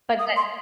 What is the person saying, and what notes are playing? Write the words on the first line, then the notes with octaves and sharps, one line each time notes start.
but that
D#6
C6